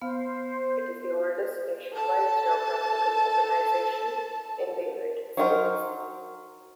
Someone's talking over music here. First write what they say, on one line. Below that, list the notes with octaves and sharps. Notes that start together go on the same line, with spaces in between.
It is the oldest nationwide geographical organization in the United States.
B3 C5 F5 F6
A4 A5
F#3 D#4 A#4 C5